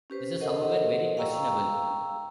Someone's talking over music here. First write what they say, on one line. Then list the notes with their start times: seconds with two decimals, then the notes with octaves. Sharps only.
This is, however, very questionable.
0.10 C#4 G4 B4 C5
0.40 G4 A4 A#4 C5 D#5 F#5
1.17 F5 G5 A#5 C#6 E6